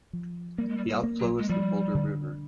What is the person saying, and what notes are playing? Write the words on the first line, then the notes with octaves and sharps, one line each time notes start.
The outflow is the Boulder River.
F3
G3 A#3
G#3
G3
G3
A#3
F#3
G#3
F3 G3
D3